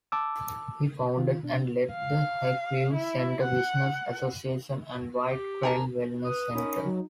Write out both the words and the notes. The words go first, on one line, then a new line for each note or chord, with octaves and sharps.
He founded and led the Lakeview Center Business Association and White Crane Wellness Center.
A5 D6 E6
D#3 F4
B2 D4
F5
E4
F#5
G4
G#4 A#4 A5
B4 D#6
C#4 D#4 A#4 B5
F#3